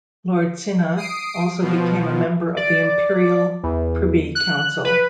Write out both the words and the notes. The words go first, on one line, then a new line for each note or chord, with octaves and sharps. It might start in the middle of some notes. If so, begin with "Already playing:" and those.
Lord Sinha also became a member of the Imperial Privy Council.
D#6 C7 D7
B2 F3
D5
E2
F#6
B4